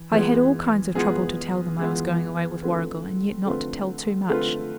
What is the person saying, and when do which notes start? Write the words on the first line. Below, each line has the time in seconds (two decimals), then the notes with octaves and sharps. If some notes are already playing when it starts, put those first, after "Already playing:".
'I had all kinds of trouble to tell them I was going away with Warrigal, and yet not to tell too much.
Already playing: E3
0.12 E3 G#3 B3 F4 G#4
0.95 E3 G#3 B3 F4 G#4
1.79 E3 G#3 B3 F4 G#4
2.62 D3 A3 C4 F4 B4
3.46 D3 A3 C4 F4 B4
4.29 D3 A3 C4 F4 B4